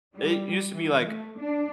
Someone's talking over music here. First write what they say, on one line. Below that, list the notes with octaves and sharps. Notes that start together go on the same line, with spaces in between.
it used to be like,
G3
E3
A3
D4